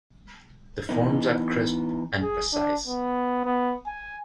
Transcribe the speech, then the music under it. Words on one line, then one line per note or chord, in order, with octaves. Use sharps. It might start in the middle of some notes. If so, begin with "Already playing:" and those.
The forms are crisp and precise.
E3 B3 D#4
G#4
D4
B3
B3
G#5